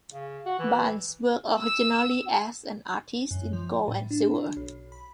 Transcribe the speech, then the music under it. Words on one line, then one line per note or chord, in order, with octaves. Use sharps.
Barnes worked originally as an artist in gold and silver.
C#3
F#4
E3
E6
F#2
F3
A2
D4
B1
B5